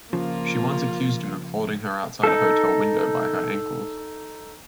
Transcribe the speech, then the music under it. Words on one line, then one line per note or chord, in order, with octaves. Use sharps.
She once accused him of holding her outside a hotel window by her ankles.
C#3 F3 A#3 F4
D#4 A4